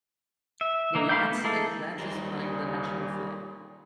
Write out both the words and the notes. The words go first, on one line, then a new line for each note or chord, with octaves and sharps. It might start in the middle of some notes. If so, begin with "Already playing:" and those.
The lions held lances flying the national flag.
E5
E3 A#3 D#4 E4
A3 F5 B5 D6 G6
B3
G#3 A#3 E4 G#4 A4
D#2 A#2 C#3 F#3 G3 D#4 C5